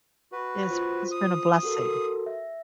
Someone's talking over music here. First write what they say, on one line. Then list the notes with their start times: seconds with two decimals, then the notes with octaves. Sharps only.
It's it's been a blessing.
0.32 F#4 B4
0.70 F4 C5
1.11 D#6
1.63 F#4 A4 A#4
2.26 E5